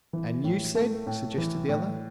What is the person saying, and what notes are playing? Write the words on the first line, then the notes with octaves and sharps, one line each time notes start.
"And you said," suggested the other.
E3
A2
A3
A2
E3
A2